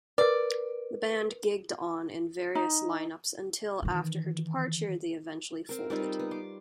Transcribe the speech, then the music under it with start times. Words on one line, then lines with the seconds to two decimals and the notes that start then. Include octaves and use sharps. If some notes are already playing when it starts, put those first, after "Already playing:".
The band gigged on in various lineups until, after her departure they eventually folded.
0.18 A#4 B4 D5
2.55 D#4
3.83 D#3 E3
5.69 C4 A#4
5.90 G3 C4 D#4 F4
6.19 B3
6.31 C6 D6